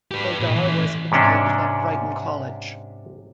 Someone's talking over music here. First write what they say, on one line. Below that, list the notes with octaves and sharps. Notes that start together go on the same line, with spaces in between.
Agar was educated at Brighton College.
G4 B4
A#2
E3
E3 C#4
G#2 C3 C#4 D4